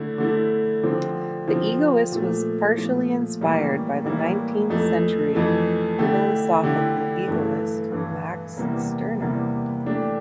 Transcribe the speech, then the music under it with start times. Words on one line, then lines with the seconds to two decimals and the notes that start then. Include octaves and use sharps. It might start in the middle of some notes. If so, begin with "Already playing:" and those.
"The Egoist" was partially inspired by the nineteenth-century philosophical egoist Max Stirner.
Already playing: D3 A3 E4
0.18 D3 A3 E4
0.83 D3 F3 C4
1.48 D3 F3 C4
2.12 A#2 F3 A3
2.76 A#2 F3 A3
3.41 A2 E3 G3 A#3 E4
4.05 A2 E3 G3 A#3 E4
4.70 F2 E3 A3
5.35 F2 E3 A3
5.98 D3 A3 E4 G4
6.63 D3 A3 E4 G4
7.28 G2 E3 A3 E4
7.92 G2 E3 A3 E4
8.57 E2 C3 G3 A#3 E4
9.20 E2 C3 G3 A#3 E4
9.85 E3 A3 D4 G4